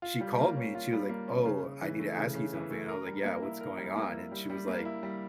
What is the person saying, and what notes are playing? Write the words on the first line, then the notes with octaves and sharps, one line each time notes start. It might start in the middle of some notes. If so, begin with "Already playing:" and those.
she called me, and she was like, "Oh, I need to ask you something," and I was like, "Yeah, what's going on?" and she was like,
F4
G3
A#3
C#4
F4
G3
A#3
C#4
C#3
C#3
E3
A3
C#3
C#3
E3
A3
A#4
G3
A#3
E4
A#4
G3
A#3
E4
G3
G3
A#3
E4
G3